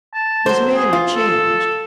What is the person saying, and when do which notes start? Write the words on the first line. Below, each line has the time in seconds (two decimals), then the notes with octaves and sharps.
His manner changed.
0.14 A5
0.46 F#3 C5
0.75 G#4
0.93 F4
1.15 A4